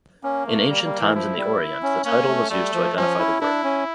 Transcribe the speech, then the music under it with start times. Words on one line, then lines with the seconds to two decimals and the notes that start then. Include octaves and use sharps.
In ancient times in the orient the title was used to identify the work.
0.23 A#3 C#4
0.47 A3
0.69 G3
0.84 G3
1.00 E3
1.15 F3 E4
1.38 G3
1.83 C#4
2.05 A#3 C#4
2.28 A3
2.50 G3 A3
2.74 F3
2.96 F3 C#4
3.19 E4
3.41 D4 E4
3.64 C#4